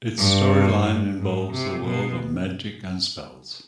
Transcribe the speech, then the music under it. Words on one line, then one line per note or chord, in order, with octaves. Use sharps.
Its storyline involves the world of magic and spells.
G2
G#2
C3
B2